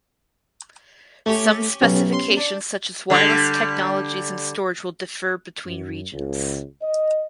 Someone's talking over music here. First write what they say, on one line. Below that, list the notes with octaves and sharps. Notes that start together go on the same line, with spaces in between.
Some specifications such as wireless technologies and storage will differ between regions.
A3 C#4 G4 C#5
B1 B3 C#4 G4
C6
D4
D3 G3
F#2
C#2
D#5